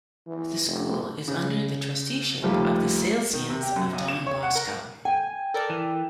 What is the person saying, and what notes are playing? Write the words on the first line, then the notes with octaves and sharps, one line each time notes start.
The school is under the Trusteeship of the Salesians of Don Bosco.
E3
F1
C#3
D#2 F3 G3 A3
D#3
C3
G4
F#2
B1
E7
C#5
F#5
A#4
G5 G#5
A4 A#4 D5
E3